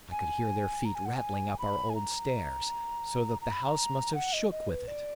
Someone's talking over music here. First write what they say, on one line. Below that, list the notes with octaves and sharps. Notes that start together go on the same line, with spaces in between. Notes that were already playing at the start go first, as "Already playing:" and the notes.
I could hear their feet rattling up our old stairs, so that the house must have shook with it.
G#5
A#5
G#5
F#5
G#5
B5
G#5
A#5
A#5
B5
A#5
F#5
D#5
D#5
B4
D5